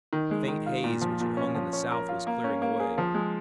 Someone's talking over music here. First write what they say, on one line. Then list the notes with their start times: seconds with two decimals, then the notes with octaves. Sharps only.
A faint haze which had hung in the south was clearing away.
0.13 D#3
0.31 G#3
0.48 D#3
0.66 F4
0.84 A#2
1.01 F3
1.20 A#2
1.37 C#4
1.55 F3
1.73 C#4
1.91 A#4
2.09 F4
2.27 A#3
2.44 C#4
2.62 A#3
2.80 G#4
2.98 F3
3.14 G#3